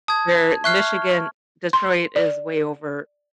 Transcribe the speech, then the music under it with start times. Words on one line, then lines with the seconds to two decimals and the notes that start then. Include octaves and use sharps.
where Michigan Detroit is way over
0.08 A5 D#6 G#6
0.64 E5 C#6 F6 F#6 C7
1.73 C6
2.16 D5